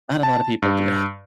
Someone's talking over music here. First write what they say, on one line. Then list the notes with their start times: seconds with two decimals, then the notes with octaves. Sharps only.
not a lot of people do.
0.23 A5
0.62 G2